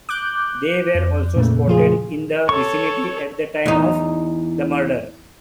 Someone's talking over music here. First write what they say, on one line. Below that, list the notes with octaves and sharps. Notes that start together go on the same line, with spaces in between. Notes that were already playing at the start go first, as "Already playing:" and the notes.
They were also spotted in the vicinity at the time of the murder.
D6 F#6 G6
F2
A#2 C#3 A3
F3 F4 G#4
A4 C#5 C#6
E2 D#4